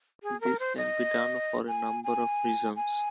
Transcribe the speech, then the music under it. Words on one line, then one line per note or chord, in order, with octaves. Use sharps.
This can be done for a number of reasons.
G#4
A#4
C5
D#5
G#5
G#5
G#5